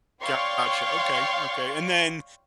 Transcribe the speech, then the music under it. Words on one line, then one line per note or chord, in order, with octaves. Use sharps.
Gotcha, okay, okay, and then
C#5 D5 F5 G5 C6 C#6